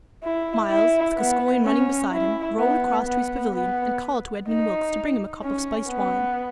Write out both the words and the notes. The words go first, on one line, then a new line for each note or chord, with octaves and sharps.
Myles, with Gascoyne running beside him, rode across to his pavilion, and called to Edmund Wilkes to bring him a cup of spiced wine.
E4
E4
B3
C#4
E4
B3
B3
B3
D#4
C#4
B3